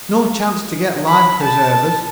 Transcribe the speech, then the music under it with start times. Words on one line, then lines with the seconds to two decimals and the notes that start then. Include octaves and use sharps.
No chance to get life-preservers.
1.07 B5
1.42 A5